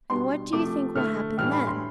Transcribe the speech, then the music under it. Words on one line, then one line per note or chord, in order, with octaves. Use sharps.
And what do you think will happen then?
B2 G3 D4 C6
C3 F3 A3 D6
D3 A3 E4 F6
A2 E3 G3 D4 F6
B5
C6